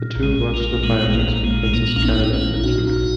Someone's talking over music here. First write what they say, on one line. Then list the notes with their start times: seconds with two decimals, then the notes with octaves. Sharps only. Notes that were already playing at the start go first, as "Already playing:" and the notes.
The two watch the fireworks for Princess Carolyn and Judah.
Already playing: A#2
0.16 A#1
0.23 G#3
0.39 A#1
0.54 A#3
0.60 A#2
0.83 A#2 G#3 B3
1.06 A#1
1.14 A#3
1.28 A#1
1.44 G#3
1.51 A#2
1.73 A#2 A#3
1.88 B3
1.96 A#1 C#4
2.03 B3 D#4
2.19 A#1 D#4
2.33 C#4 E4
2.41 A#2
2.57 E4
2.64 A#2 D#4 F#4
2.87 A#1